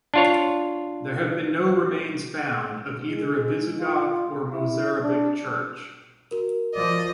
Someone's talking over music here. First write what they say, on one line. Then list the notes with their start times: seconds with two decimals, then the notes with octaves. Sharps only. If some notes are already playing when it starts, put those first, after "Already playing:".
There have been no remains found of either a Visigoth or a Mozarabic church.
0.14 D4 F4 C#5
3.08 G#3
3.79 F4
4.52 E4
5.03 D4
6.31 F#4 A#4
6.75 F3 D5 D#5